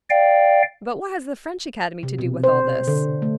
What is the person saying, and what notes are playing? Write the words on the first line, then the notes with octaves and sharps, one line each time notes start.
"But what has the French Academy to do with all this?"
D5 F5 G5
C3
B2
C5
D3
A3